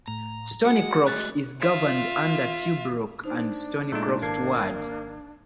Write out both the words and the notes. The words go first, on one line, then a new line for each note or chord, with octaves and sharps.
Stoneycroft is governed under Tuebrook and Stoneycroft ward.
A2 A#5
G#3 F#4 F#5
G3 A3 F#6 A6
F4 E5
D4 D#4 C5
A#2 G#3 A3 D#4
G#1 A#3 A5 G#6 C7